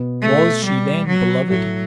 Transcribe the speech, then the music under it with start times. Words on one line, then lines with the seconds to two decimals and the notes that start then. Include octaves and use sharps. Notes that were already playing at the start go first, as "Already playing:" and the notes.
Was she then beloved?
Already playing: B2 B3
0.22 A3
0.64 G3
1.07 F#3
1.49 A2 F#3 A3